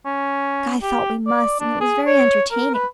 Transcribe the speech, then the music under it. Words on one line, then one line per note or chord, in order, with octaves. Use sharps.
'Guy thought we must, and it was very entertaining.
C#4
G4
D5
D4
G#4
C#5
A#4
B4